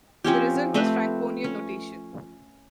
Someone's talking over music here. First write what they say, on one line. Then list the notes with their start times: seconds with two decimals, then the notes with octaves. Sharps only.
The result was Franconian notation.
0.24 F3 C4 C#4 G4
0.74 A3 C4 A4 B4
1.44 C#4